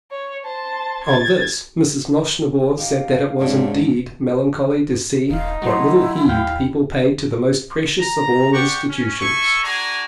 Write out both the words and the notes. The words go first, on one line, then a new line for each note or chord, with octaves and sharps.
On this Mrs. Nosnibor said that it was indeed melancholy to see what little heed people paid to the most precious of all institutions.
C#5
C5 A5
G#6 A6
D#4 G4 F5
G#2 C#3 C4 D4
D#1 D#4 F5
F#3 A3 E4 G4 C6
D#2 F5 G5 B5
A#5
G4 D5 F#5 G5 C#6
C#4
A4 E5 G#5 C#6
D4 F#4 G#4 G#5 A#5